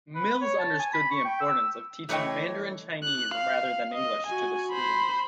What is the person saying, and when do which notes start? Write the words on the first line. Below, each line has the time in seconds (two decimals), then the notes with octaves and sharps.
Mills understood the importance of teaching Mandarin Chinese rather than English to the students.
0.15 B4
0.41 C#5
0.59 A5
0.80 G#5
0.94 B5
1.11 C#6
1.25 G5
1.40 E6
2.09 E3 A3 C#5 D#5 G5
3.04 F#6
3.35 F5
3.94 D#5
4.27 F#4 G#5
4.72 C5 B5